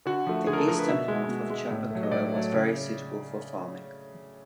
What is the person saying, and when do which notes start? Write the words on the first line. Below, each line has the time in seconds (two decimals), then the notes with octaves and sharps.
The eastern half of Chappaqua was very suitable for farming.
0.06 D3 F#4
0.26 F3 A3
0.47 D3 G#4
0.53 A#4
0.58 A4
0.68 F3 A3 A#4
0.78 B4
0.89 B2 E5
1.08 G#3
1.29 B2
1.50 G#3
1.71 A2
1.90 F#3 A3
2.03 D#5
2.11 A2 D5
2.32 F#3 A3
2.53 C#3